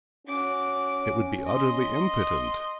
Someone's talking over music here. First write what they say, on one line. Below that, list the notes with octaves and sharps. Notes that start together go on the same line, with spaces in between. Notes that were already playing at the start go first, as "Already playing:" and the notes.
'It would be utterly impotent.'
C#4 F#4 D6
D#5 C6